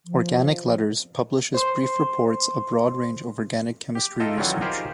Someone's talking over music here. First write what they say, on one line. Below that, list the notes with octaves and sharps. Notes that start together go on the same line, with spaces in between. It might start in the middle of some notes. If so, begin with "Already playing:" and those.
Organic Letters publishes brief reports a broad range of organic chemistry research.
F3
C5 C6
G4
D#4 F4 A4 D#5 E5 G5
D#3 E3 F#3 G3 C#4 F4
D#4 F4 G4 G#4 A#4 C5